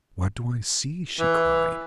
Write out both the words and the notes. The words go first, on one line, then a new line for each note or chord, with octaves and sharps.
"What do I see?" she cried.
E3